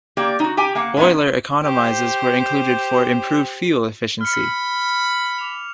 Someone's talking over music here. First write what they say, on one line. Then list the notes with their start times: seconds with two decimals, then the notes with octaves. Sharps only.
Boiler economizers were included for improved fuel efficiency.
0.17 A#3 G4 D5
0.40 D#4 F#4
0.57 G4 G5 G#5
0.75 A#3 F5 F#5
0.97 A2 B3 C#4 D#4 F#5
1.63 G4 C5
4.21 B5 F6 C#7
5.38 D6 F7